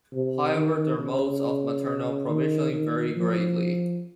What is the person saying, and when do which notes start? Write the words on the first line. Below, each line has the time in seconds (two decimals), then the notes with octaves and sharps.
However, their modes of maternal provisioning vary greatly.
0.14 C3
0.57 D#3
0.99 C#3
2.29 D#3
2.73 D#3
3.16 F3